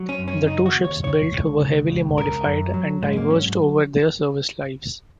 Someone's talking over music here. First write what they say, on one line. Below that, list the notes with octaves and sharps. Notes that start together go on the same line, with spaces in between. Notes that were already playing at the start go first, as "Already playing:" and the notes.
The two ships built were heavily modified and diverged over their service lives.
Already playing: F#3
C#4
F#2
C#4
C#3 D#4
F#4
D#2
C#5
C#3 C#5
C#2
C#3
C#2
C#3 A#4
F#2
F#3
G#2 G#3
A#3
F#3 C#4